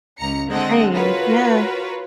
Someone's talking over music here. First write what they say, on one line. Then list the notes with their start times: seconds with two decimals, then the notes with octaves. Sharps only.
Dang! Yeah.
0.18 C#2 A#5 C#7
0.49 D3 G#3 C4 A4 D#5 F#5
0.92 F4 F#4 A#4 B4 C#5